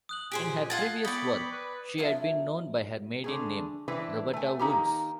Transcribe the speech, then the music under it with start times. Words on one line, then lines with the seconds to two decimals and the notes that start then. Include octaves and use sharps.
In her previous work she had been known by her maiden name, Roberta Woods.
0.09 D#6 F#6 F#7
0.32 A#2 G4 G#4 C5 G#5
0.70 F4 F#5 A5 G#6
1.05 B3 D5 G5 B5 C#6 D#6
1.52 B4
1.98 F#3 B3 D4 E4 F4
3.24 D3 A3 G#4
3.88 E3 C4 D4 E4 B4
4.33 A3 G#5
4.59 D#3 A#3 D#4 E4 G4